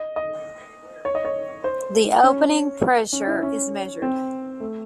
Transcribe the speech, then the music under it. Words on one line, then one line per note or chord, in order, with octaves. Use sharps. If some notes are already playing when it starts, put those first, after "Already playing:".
The opening pressure is measured.
Already playing: D#5
D#5
C#5
D#5
C#5
C5
C#4
C#4
E4
C#4
C4
A3